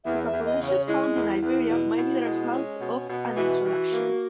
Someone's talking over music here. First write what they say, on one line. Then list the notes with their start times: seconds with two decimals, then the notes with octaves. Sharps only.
The populations found in Iberia might be the result of an introduction.
0.05 E2 E5
0.26 E5
0.33 E2
0.46 D#5
0.60 C#3
0.67 C#5
0.88 G#3 E4
1.15 E2
1.42 E2
1.71 B2
1.98 B2
2.26 G#3
2.53 C#4
2.81 B2
3.09 B2
3.37 E3 F#4
3.64 E3
3.92 A#3